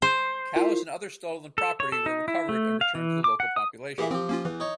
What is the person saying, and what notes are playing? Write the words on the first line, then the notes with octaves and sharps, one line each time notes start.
Cows and other stolen property were recovered and returned to the local population.
C5
E4 F4 A#4
A4
C#5
A4
D#4
E4
A3
F5
E3
D6
F#5
D#6
A#2 E3 G4 G#4 E5
F3 C4 G4
A#3 C#4 F4
E2 E3
D#4 C#5